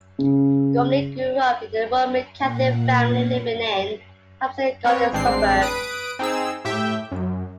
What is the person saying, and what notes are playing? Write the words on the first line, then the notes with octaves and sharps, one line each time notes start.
Gormley grew up in a Roman Catholic family living in Hampstead Garden Suburb.
C#3
A#2 A#3 F#5
B3 C4 C#5
A1 G#3 C4 D4 C7
B4 D#6 D7
C4 D#4 G#4 E6
A2 G4 E5 G5
F#2